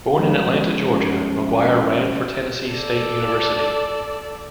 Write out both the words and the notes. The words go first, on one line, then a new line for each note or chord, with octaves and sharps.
Born in Atlanta, Georgia, McGuire ran for Tennessee State University.
F3 G3 G#3 A#3 B3 C#4
A4 D5